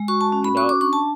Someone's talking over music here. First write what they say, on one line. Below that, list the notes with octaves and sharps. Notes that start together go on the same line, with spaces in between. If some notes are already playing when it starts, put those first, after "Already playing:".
you know?
Already playing: G#3
F#4 C#6
A5
C#4
B5
F#4 C#6
D6
D4 C#6
A5